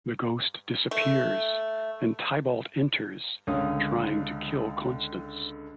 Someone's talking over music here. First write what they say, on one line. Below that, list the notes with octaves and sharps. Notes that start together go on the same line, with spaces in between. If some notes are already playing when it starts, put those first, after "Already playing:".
The ghost disappears, and Tybalt enters, trying to kill Constance.
A3
C#2 D3 C#5 F5 D#6